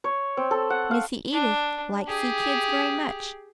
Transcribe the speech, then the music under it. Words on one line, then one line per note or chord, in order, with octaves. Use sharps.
Missy Edith like see kids very much.
C#5
C4
A4
F#5
F5
D4
G4 G#4